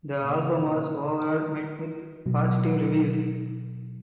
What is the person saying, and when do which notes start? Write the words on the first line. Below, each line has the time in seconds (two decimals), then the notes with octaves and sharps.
The album was overall met with positive reviews.
0.21 A#2 C#3
2.26 B2 F#3